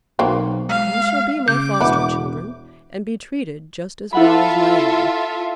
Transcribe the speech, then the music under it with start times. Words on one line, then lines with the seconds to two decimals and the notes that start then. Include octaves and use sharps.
"You shall be my foster--children, and be treated just as well as my own."
0.19 B1 F#3 A#3 C4
0.69 G#3 F5
1.48 C#3 D6 G6
1.80 E1 B3 E4
4.13 E4 F4 A4 E5 F#5 B5